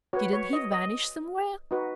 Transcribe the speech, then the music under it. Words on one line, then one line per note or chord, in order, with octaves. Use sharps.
"Didn't he vanish somewhere?"
F#4 B4 C#5
C#5
D#5
D#5
D#4 F#4 B4